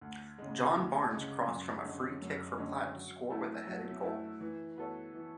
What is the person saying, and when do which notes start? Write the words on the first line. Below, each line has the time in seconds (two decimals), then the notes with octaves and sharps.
John Barnes crossed from a free-kick for Platt to score with a headed goal.
0.01 D2
0.38 C#3 G#3
0.76 D2
1.12 C#3 G#3
1.48 F#2
1.84 D3 G#3 C#4
2.22 F#2
2.58 D3 G#3 C#4
2.95 F#3
3.30 A3 E4
3.67 F#3
4.04 A3 E4
4.41 E3
4.78 B3 F#4 A4 C#5
5.14 E3